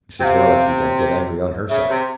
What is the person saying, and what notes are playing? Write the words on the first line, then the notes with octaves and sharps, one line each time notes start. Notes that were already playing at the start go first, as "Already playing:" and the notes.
Mrs. Roylake began to get angry, on her side.
C3 F5 G5
C#3 E5
C3